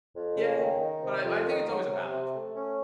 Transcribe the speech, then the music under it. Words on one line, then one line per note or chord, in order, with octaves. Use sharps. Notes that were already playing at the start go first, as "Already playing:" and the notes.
Yeah. But I I think it's always a balance, really.
F2
C#3
D#3
D#3
C3
F2
D#3
F#3
C3
C3
A3
C#4